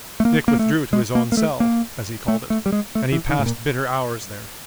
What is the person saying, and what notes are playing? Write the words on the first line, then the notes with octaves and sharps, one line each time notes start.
Dick withdrew to his own cell, as he called it, and he passed bitter hours there.
A3
A#3
A#3
A3
G#3
A#3
A#3
A3
A#3
A3
A3
G3
G#3
A3
E3
D#3
A2
A#2